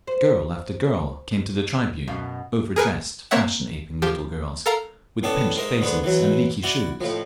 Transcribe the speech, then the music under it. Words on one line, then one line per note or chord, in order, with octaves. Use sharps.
Girl after girl came to the tribune--over-dressed, fashion-aping little girls, with pinched faces and leaky shoes.
C5
F#2 B2 F5
G#4 A#4 B4 G#5
A#3 C4 C#5 E5 F#5
F3 G4
A4 A#4 F5 A#5
A2 B3 C#4 D5 E5 A5
G#2 A#4 D#5 E5
G#2 D3 B3
E3 F#3
E4 F#4 D5
F2 A2